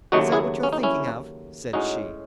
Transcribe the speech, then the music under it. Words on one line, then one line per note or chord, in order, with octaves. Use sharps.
Is that what you're thinking of?' said she.
D#2 C#3 F#3 A3 D#4 F#4
E4 G#4
C#4
D#4
C#4 E4
A2 G#3 C#4 D#4 F#4